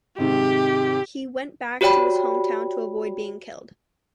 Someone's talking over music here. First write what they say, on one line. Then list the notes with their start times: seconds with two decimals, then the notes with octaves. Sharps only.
He went back to his hometown to avoid being killed.
0.18 G#2 C3 D#3 G4
1.81 F#4 G4 C#5 D5 G5 B5